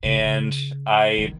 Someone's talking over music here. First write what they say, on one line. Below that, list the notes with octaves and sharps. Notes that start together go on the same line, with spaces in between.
and I
C#3
D#3